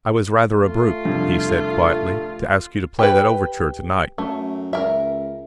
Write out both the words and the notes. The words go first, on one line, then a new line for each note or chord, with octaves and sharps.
"I was rather a brute," he said quietly, "to ask you to play that overture to-night."
A3 F4
C2 F2 D3
G4 B4
F#2 A3
C#2 A#4 E5